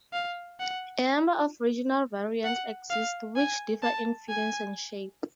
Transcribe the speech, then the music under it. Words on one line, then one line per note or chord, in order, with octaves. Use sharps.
A number of regional variants exist which differ in fillings and shape.
F5
F#5
F#5
F5
G#5
A5
G#5